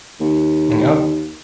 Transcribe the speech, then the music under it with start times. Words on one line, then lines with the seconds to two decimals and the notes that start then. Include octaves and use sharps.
And, yep.
0.20 D#2